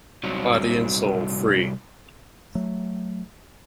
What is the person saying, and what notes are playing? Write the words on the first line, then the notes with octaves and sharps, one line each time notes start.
Body and soul free.
C2 F#3
F#3 A3